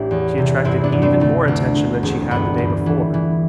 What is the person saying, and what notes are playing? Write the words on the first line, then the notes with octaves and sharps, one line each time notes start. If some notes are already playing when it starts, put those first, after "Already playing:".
She attracted even more attention than she had the day before.
Already playing: A1 G3 D4 E4 G4
E2
C3
G1 C4 E4
B3 D4
G1
A3 C4
D2 A3
D2
D2
E1
G1 B3
G1
E3
E3